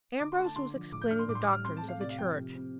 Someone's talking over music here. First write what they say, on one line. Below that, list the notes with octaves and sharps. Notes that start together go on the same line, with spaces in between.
Ambrose was explaining the doctrines of the Church.
D3 D6
C6
A3
A5
D3 C6
F3
A2 D6
G6
D4 F6
C6
A2 D6
C6
D6
G3
F6
C4 C6
A5
A3
F5
C3 D5
F5
F3 G5
C3
C4